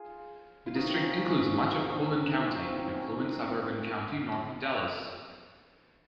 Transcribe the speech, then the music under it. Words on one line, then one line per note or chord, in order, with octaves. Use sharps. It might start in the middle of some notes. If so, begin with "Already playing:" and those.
The district includes much of Collin County, an affluent suburban county north of Dallas.
Already playing: F4 G#4
F4
C3 D#3 F#3 D#4 F#4
C#4 F4
C#4 F4
D#4 F#4
F4 G#4
D#4 F#4
C4 D#4
C#4
C#4
C4 D#4
C#4 F4
C#4 F4
C4 D#4
D#3 F#3 A#3 C4
C#4
C4 D#4
C4
C4
C#4